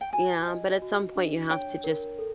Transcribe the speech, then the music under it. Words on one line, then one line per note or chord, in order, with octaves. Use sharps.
Yeah, but at some point, you have to just
G5
F#4 G#5
D#5
F#4
D4
C#5 G5
A#4
A4